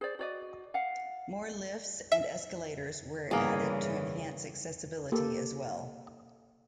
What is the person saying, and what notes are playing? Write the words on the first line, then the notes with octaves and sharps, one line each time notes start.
More lifts and escalators were added to enhance accessibility as well.
G#4 C5 D5
F#4 D5 D#5
F5 F#5
E5
G2 C#3 E3 A#3 B3 G#4
A#3 G4 A4